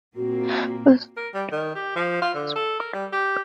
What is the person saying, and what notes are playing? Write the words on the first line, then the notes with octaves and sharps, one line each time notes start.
Walker's primary motto in life and most famous quote was "think big".
A#2 A#3 C4 F#4
A#4
G3
D#3
G4
F3
F4
D3
A4
A#4
G3
G4